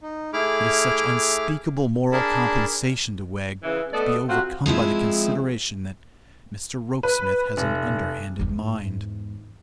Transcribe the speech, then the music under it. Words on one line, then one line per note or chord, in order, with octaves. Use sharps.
It is such unspeakable moral compensation to Wegg, to be overcome by the consideration that Mr Rokesmith has an underhanded mind!
D#4
A3 E4 G#4 B5 D6 F6
D4 G#4 A#4 A5 B5
C#3 E3
A3 B3 A4 D5 D#5
C3 C4 F4 F#4
F3 G#3 C4 E4
B4
F1
E2 G#2